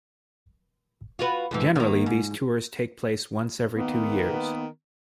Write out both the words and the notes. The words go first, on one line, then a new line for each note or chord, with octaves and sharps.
Generally these tours take place once every two years.
F4 F#4 B4
F2 G#2 E3
D#3 A#3
G#2
D#3 A#3 B3